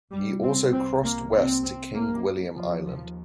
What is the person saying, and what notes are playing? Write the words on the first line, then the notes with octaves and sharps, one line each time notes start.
He also crossed west to King William Island.
C2 C3 G3
C4
C4
A#3
C4
C4
A#3
D#2 F3
F3